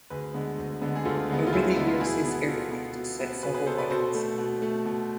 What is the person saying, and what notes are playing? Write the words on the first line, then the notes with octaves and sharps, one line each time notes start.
Over the years, his aircraft set several records.
D2 G#4 B4
D3 G#3 B3
D2
D3 G#3 B3
G#4
D2 F4 A4
D3 G#3 B3
F4
D2 E4 G#4
D3 G#3 B3 E4
F4
B2 E4 G#4
B3
B2 F4 A4
B3
B2
B3
B2 G#4 B4
G#4 B4
B3 A4 C5
B4 D5
B2 A4 C5
A3
B2
A3
B2